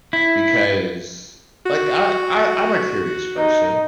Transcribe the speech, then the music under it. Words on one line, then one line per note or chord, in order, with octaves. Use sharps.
because, like, I I I'm a curious person,
E4
F#4
D#4